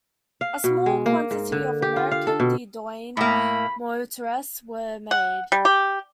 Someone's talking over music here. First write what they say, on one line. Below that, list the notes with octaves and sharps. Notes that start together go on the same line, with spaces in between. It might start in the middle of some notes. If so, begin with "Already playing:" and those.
A small quantity of American De Dion Motorettes were made.
F5
B2
G#3
A#3
G#2
D3
G4
F4
F5
A4
B2
A2 A#3 B5
F#5
G3
G4